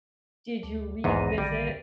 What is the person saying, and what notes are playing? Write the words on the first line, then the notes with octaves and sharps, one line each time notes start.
did you revisit
D2
B1 E2 G#2 D#3
A#1 D3 D#3 G3